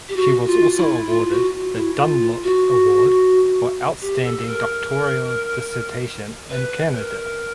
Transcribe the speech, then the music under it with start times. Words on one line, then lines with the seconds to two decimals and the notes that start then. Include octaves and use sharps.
She was also awarded the Dunlop Award for Outstanding Doctoral Dissertation in Canada.
0.08 G4
0.16 F#4
0.46 F4
0.77 E4
1.06 F4
1.30 F#4
1.74 E4
1.97 F4
2.43 F#4
4.01 G4
4.24 A4
4.37 A4
4.46 A#4
6.49 B4
6.95 A#4